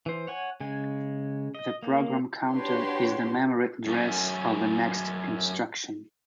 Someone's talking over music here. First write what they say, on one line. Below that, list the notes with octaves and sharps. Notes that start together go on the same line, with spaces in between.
The program counter is the memory address of the next instruction.
E3 C5
C#5 F#5 G#5
C#3 G#3 G#5
D#5
A#3
D4 F#4 G4 B4 C#5 C6
F#2 A3 C#4